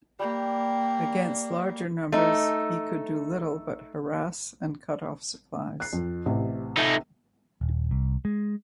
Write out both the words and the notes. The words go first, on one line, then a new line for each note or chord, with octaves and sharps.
Against larger numbers he could do little but harass and cut off supplies.
G3 A#3 G4 G5
A3 D#4
F#6 C7
F2
A1 C3
A3 D#4
D#1
C2
G#3